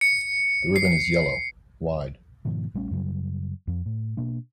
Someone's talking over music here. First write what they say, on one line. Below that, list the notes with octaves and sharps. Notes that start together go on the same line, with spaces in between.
The ribbon is yellow, wide.
C#7
C7
G#2 B2 D#3 F3
A#1 G3 A3 C#4
F#2 C#3 F#3 G3
F2 F3
A2
B2 A#3 D4